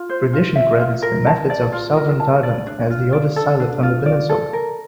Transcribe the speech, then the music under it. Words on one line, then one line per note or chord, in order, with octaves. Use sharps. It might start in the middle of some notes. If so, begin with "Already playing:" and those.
Tradition credits the methods of southern Thailand as the oldest silat on the peninsula.
Already playing: F4
C5
F4
E5
F4
A#4
A5
D5
F4
A#4
A5
D5
D4
F4
D5
A4
D4
F4
D5
A4
A#4